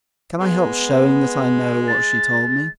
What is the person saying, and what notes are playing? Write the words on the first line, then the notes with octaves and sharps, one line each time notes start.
Can I help showing that I know what she told me?
G#3 B3
A6